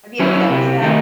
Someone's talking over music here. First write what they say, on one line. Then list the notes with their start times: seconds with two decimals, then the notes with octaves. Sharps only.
Have you ever noticed that?
0.19 F#3 C#4 E4
0.50 C3
0.82 D#3 A3 D#4